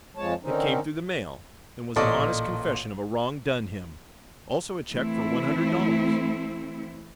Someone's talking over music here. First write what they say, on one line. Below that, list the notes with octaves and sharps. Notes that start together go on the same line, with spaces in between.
It came through the mail and was an honest confession of a wrong done him, also a check for one hundred dollars.
F2 F3 G#3 C#5 A5
D3 D#3 C4 C#4 D#4
A1 A#2 A4 D5 D#5 C#6
E3 A3 C4 E4